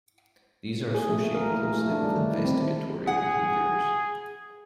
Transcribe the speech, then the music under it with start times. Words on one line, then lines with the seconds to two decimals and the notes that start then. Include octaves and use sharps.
These are associated closely with investigatory behaviors.
0.94 G#4
1.09 A3
1.23 A#3
1.35 A#4
1.50 E3
1.77 A3
1.92 D4
2.04 G3
2.17 D#3
2.31 E4
2.44 C4
3.07 G#4 F#5